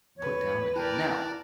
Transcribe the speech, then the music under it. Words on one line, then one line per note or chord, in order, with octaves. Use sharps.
put down a game. Now,
E2 B4 C#5
E4 A#4 D5 G5 A5 F#6